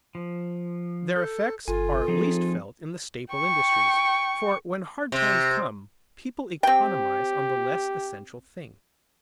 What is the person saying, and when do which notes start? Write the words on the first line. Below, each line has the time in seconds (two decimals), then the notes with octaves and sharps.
Their effects are least felt in the staple industries, for when hard times come, people economize on the less essential things.
0.15 F3
1.16 A4 G6
1.68 G1 F4 A4 G#5
2.08 F3 C4 D#4 G#4
3.34 G5 C#6
5.12 C3
6.63 C4 G4 G5